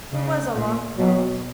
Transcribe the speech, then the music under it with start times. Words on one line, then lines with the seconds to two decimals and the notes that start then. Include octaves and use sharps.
There was a long pause.
0.12 C#3
0.55 A#2
0.98 B2 F#3